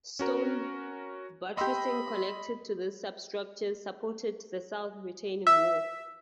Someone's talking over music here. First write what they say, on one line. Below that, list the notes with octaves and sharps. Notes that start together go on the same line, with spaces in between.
Stone buttressing, connected to this substructure, supported the south retaining wall.
C#4 F#4 A#4
G4 D#5 F#5 B5 C6 E6
E5